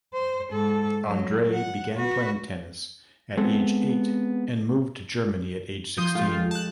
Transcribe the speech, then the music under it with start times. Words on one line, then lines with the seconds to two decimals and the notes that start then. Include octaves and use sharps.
Andrei began playing tennis at age eight, and moved to Germany at age sixteen.
0.13 C5
0.51 G#2 A4
1.06 F#3
1.53 F#5
1.97 F#4 B4
3.37 G#3 B3 C4 A4
5.97 F3 F4 C6 D#6 G6
6.15 G#3 A3 F4 G4
6.51 A5 F#6